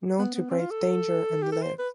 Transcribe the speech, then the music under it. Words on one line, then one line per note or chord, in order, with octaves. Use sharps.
Known to brave danger and live.
B3
B3
C4
F4
A4
G4
A4
C5
B4